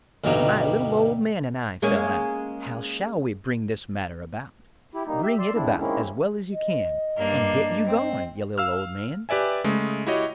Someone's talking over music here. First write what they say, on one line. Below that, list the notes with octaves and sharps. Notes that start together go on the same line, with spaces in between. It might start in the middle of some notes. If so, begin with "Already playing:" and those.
"My little old man and I fell out, How shall we bring this matter about? Bring it about as well as you can, And get you gone, you little old man!"
D2 G2 B2 F#3 G3 D#4
G#3 A#3 C#4
E4 G4
G3 A#3 D#4
G4 E5
D5 C6 E6
F2 C#3 C4 D4 E4
D#3 G#3 A#3 C4 C#4 E4
D#5
G2 A#3 D4
C4
F5 E6 F6
G4 B4 D5 E5 G#5
C#3 G#3 A3
E4 F#4 G4 C#5 D#5